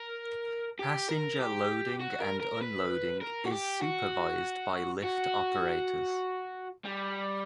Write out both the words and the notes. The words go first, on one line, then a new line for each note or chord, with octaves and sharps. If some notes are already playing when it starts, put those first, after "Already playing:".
Passenger loading and unloading is supervised by lift operators.
Already playing: A#4
G4
A#4
G4
F#4
A#4
A#4
B4
A#4
F#4
G4
F#4
F#4
G3